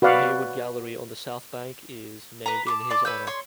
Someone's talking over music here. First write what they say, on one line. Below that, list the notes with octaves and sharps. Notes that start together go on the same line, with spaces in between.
The Hayward Gallery on the South Bank is named in his honour.
F#4 B4 D5 F5 F#5
B4 A#5
A5 C6 D6
D5 A5 C6 D6
B4 C#5 E6 G6
C#5 C6